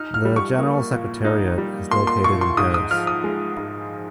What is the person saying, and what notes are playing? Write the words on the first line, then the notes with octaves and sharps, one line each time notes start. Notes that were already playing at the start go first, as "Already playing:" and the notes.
The General Secretariat is located in Paris.
Already playing: D#4 F6
F6
G3
C#6
A#3
A#2
D#4
G3
A#3 C6
C6
A#2 C#6
C6
G#2 D#6
D#6
F3 F6
D#6
G#3
G#2